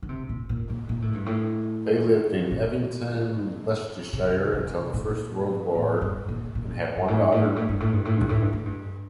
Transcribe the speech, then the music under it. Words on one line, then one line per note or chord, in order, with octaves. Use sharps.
They lived in Evington, Leicestershire until the First World War, and had one daughter.
D3
C3
A#2
A#2
A#2
A#2
A2
G2
A2
A#2
C3
C3
A#2
A2
G2
A#2
A#2
G2
A2
G2
A2
G2
A2
G2
A2
G2
A2
G2
A2
G2
A2
G2